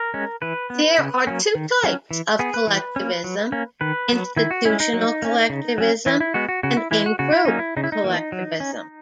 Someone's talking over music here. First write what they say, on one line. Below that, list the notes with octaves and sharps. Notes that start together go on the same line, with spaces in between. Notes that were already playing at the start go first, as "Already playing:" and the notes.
There are two types of collectivism: institutional collectivism and in-group collectivism.
Already playing: A#4
G#3 C#4
E3 B4
B3
C#3
F#3 A#3 C#4
D#3
F#3 C#4
E3
B3 G#4
B4
E3
A#3 C#4
F#3
A#3 C#4
D#3 B4
F#3 B3
D#3 E4
F#4
G#3 C#4 E4
D#4
F#3
A#3 C#4
C#3
F#3 C#4
E3 E4
E4
G#3 B3 F#4
F#4
C#3 F#4
E4
E3 G#3 E4
F#4
C#3 F#4
E4
F#3 A#3 C#4 D#4
E4
C#3 D#4
E4
D#4
E3 A#3
F#3
C#4